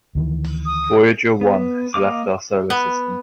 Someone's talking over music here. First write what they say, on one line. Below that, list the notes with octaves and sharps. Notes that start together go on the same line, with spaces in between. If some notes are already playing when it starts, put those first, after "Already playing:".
Voyager One has left our solar system.
D2 D#3 E3
D#6
B3
A#3 D#5 F5 D6
B3